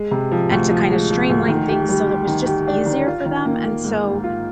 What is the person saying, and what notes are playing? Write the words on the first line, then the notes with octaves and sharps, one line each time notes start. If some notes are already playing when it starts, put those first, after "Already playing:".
and to kinda streamline things so that was just easier for them, and so
Already playing: G#3
C3
F3
D2
F3
G#3
F3
D2
D#3
G4
G3
G4
D#3
G4
D4
D#3
F4
D#3
A#3
A#3
G#2
G#2
F4